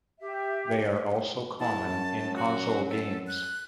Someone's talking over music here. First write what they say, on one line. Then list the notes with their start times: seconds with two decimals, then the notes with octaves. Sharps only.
They are also common in console games.
0.19 G4 E5
1.60 E2 A5
1.87 F#2
2.35 F#4
2.89 A4
3.27 F#6